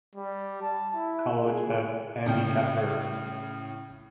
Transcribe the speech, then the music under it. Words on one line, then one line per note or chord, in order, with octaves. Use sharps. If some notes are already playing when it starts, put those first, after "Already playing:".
College of Ambikapur.
G3
A5
E4
G#4
A2 C#3 G5